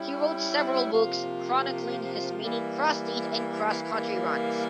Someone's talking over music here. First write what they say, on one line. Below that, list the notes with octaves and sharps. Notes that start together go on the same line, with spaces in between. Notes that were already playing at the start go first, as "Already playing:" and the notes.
He wrote several books chronicling his many cross-state and cross-country runs.
Already playing: G3 C#4 E4
C3 F3 A#3 F4
E3 G3 A#3
E3 G3 A#3